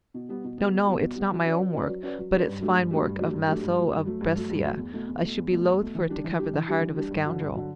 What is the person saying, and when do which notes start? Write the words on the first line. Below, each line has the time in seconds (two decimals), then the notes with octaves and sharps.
No, no; it's not my own work; but it's fine work of Maso of Brescia; I should be loth for it to cover the heart of a scoundrel.
0.14 B2
0.29 G3 B3
0.44 B2
0.58 G3 B3
0.73 B2
0.87 G3 B3
1.01 B2
1.16 G3 B3
1.32 F#3
1.45 C#4 F#4 B4 D5
1.60 F#3
1.74 C#4 F#4 B4 D5
1.88 F#3
2.03 C#4 F#4 B4 D5
2.19 F#3
2.33 C#4 F#4 B4 D5
2.48 G2
2.61 F#3 A3 D4 G4
2.76 G2
2.91 F#3 A3 D4 G4
3.06 G2
3.19 F#3 A3 D4 G4
3.33 G2
3.48 F#3 A3 D4 G4
3.63 G2
3.78 F#3 A3
3.92 G2
4.06 F#3 A3
4.21 G2
4.36 F#3 A3
4.50 G2
4.65 F#3 A3
4.78 E2
4.93 B2 A3
5.09 E2
5.22 B2 A3
5.38 E2
5.52 B2 A3
5.66 E2
5.81 B2 A3
5.95 E3
6.09 G3 D4 G4
6.24 E3
6.39 G3 D4 G4
6.53 E3
6.68 G3 D4 G4
6.81 E3
6.96 G3 D4 G4
7.11 G2
7.25 D3 F#3
7.40 G2
7.55 D3 F#3